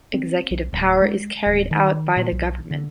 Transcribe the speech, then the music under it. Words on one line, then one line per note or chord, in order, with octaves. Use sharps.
Executive power is carried out by the government.
C4
B1
D1
G#3
D1
D#3
A#2
B1
D3